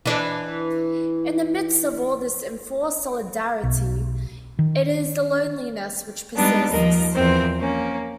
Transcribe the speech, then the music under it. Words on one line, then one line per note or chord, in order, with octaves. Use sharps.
In the midst of all this enforced solidarity, it is the loneliness which persists.
E3 D4
B1
D#3
G3 G#3 B3 D4 D#4
D#2 F3 A#4 D#5
E2 F3 C4 A#4 C5
A#3 C#4